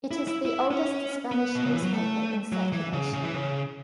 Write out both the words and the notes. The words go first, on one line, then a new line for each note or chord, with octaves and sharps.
It is the oldest Spanish newspaper in circulation.
E4
E4
E4
C#4
B3
B2
C#3
E3
F#3
A3
F#3
E3
C#3
C#3
E3
C#3